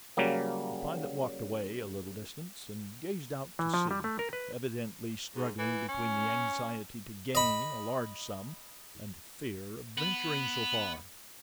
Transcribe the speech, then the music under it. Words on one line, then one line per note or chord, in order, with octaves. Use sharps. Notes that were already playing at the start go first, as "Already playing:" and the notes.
The pilot walked away a little distance, and gazed out to sea, evidently struggling between the anxiety to gain a large sum and the fear of venturing so far.
C#3 F#3 G3 A#3
E3
F3
G3
A3
A#4
B4
G#2
E3
C#4
D#5 B5
B3